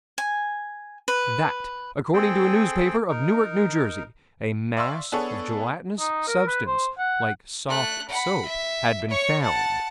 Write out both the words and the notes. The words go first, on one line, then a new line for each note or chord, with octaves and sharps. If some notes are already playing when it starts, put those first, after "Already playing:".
That, according to a newspaper, of Newark, N.J., a mass of gelatinous substance, like soft soap, had been found.
G#5
B4
C4 G#4 A4 G5
D#4 A#4
D5 E5 F5 C6 C#6 E6
B3 D4 G#4 A4 C#5
D#4
A#4
B4
C5
F#5
A3 F#6
F#5 B5
E5
C#5 C#6
F#5 A5